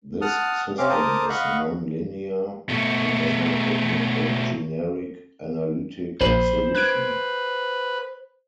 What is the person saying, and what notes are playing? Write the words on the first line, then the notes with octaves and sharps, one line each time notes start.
This system is non-linear, and does not admit a generic analytic solution.
F#5 A5 D#6 F6
C3 C4 C#4 F5 D6
A#4 C5 A5 A#5 D6 D#6
D#5 F5 F#5 B5 C#6
B2 A3
A#1 C5 B5
B4 F#6 G#6 D7